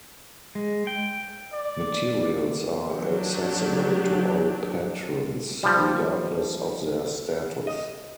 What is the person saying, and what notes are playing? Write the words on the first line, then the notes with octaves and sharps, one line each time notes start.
Materials are accessible to all patrons, regardless of their status.
G#3
G5
D5
F#3 D4 G4
F3 G3
D#5